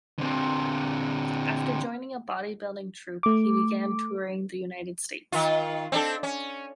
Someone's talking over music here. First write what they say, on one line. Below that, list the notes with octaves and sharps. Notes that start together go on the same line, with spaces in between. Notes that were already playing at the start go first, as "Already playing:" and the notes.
After joining a bodybuilding troupe, he began touring the United States.
D3 C4
A3 D6
D#3 F4
C4 D4 A4
C#4